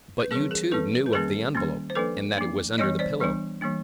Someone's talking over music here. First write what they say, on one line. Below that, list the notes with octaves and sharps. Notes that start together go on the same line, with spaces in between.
"But you, too, knew of the envelope and that it was under the pillow."
B4
E3 G3 C4 G#4 A#4
G#4 A#4
E3 G3 C4 A4 B4
B4
D#3 G3 A#3 C#4 G#4 A#4
D#3 G3 A#3 C#4
C5
F3 A#3 D4 A4 B4
F3 A#3 D4
E3 G3 B3 D4 C#5 D#5
C5 D5
E3 G3 B3 D4
E3 G3 A#3 D4